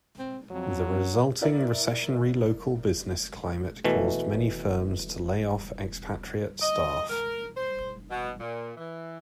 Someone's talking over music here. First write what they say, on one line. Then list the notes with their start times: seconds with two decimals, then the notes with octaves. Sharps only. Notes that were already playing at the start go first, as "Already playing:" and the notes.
The resulting recessionary local business climate caused many firms to lay off expatriate staff.
0.19 C4
0.51 F2 F#3
1.41 E4 A#4 D5 E5
3.84 B2 E3 A3
6.62 D#5
7.10 A#4
7.56 C5
8.10 B2
8.40 A#2
8.76 E3